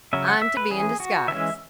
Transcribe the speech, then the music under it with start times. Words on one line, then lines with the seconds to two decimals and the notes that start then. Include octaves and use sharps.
I'm to be in disguise.
0.13 C#3 F#3 C#4 E5
0.28 F#5
0.42 E5
0.57 B4
0.70 E3 C#4 G#4
1.00 F#4
1.28 E3 G#3 C#4 E5